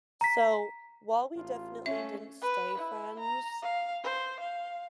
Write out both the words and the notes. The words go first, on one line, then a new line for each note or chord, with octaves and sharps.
so, while we definitely didn't stay friends,
A#5 B6
A1 F4
A3 C#4 E5
B4
E4
A#5
F5
C5
F5